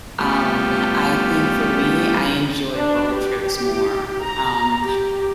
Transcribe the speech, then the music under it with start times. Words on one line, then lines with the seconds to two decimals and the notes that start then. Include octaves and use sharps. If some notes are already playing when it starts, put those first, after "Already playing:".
Um, I think for me, I enjoy road trips more, um,
0.19 G3 A3 B3 C#4 F4 G4
2.75 D4
3.14 G4
4.23 A#5
4.82 G4